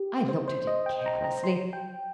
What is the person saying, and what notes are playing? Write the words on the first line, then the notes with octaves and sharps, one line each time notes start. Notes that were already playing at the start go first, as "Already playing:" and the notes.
I looked at it carelessly.
Already playing: G4
C5
C5
D#5
G5
A#5
A#5
C6
G5